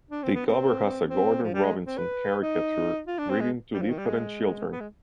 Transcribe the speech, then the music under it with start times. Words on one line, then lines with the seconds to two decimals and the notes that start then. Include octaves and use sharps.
The cover has a Gordon Robinson caricature reading to different children.
0.11 D4
0.23 C4
0.35 B3
0.46 C4
1.09 C4
1.43 F3
1.54 G3
1.64 G#3
1.87 C4
1.97 B4
2.42 D#4
3.07 F4
3.18 D4
3.29 C4
3.40 G#3
3.73 G3
3.82 F3
3.89 D#3
3.98 G3
4.06 G#3
4.72 B3
4.80 G#3